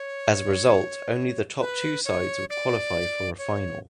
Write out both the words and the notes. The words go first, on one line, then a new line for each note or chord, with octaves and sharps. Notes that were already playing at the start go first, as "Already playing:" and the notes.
As a result only the top two sides would qualify for a final.
Already playing: C#5
B4
C#5
D5
C#5